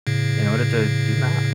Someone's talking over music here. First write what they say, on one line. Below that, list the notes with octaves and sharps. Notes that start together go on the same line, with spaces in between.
in order to do math.
A2 C#3